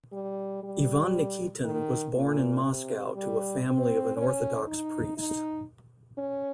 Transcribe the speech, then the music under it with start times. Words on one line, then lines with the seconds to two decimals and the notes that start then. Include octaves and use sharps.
Ivan Nikitin was born in Moscow to a family of an Orthodox priest.
0.12 G3
0.63 G3
1.64 D#3
2.15 A#2
2.65 C3
3.15 G3
3.66 C4
4.17 C#4
4.67 D#4
5.18 D#4
6.18 C#4